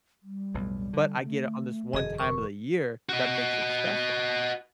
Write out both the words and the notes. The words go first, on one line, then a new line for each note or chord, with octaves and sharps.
but I get it on this one time of the year, that makes it special.
G3
B1 F2 A2
D3
A3
E1 F#2 D3 G#4 D#5
A#4 C#6
F#4 D#5